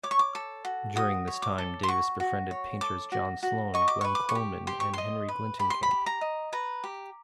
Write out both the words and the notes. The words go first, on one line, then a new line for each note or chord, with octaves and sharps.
During this time, Davis befriended painters John Sloan, Glenn Coleman and Henry Glintenkamp.
C#5 D6
C#6
D6
A4
F#4
F#4 D#6
C#5
D6
A4
C6
F#4 C#6
F#4
C#5
A4 D6
F#4
F#4
D#5 C#6
D6
B4 C#6
D6
C#6
G4
G4 C6
C#6
D#5 C6
B4
G4 B5
C6
B5
G4
A#5
D#5
B4 A#5
G4